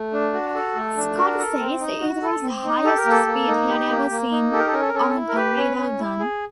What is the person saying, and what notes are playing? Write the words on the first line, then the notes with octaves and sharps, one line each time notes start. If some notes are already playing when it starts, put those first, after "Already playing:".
Scott says it was the highest speed he'd ever seen on a radar gun.
Already playing: A3
D4
F#4
A4
A3
D4
F#4 A#4
A4
C4
D#4
F#4
A4
C4
D#4
G4 A4
A#4
A#3 A4
A#3
D#4
G4
A#3
A#3
D#4
G4 A4
A#4
A4
C#4 A#4
A4
A#4
C#4 A4
A#4
A4
E4
A#4
G4 B4
C#4
C#4
E4
G#4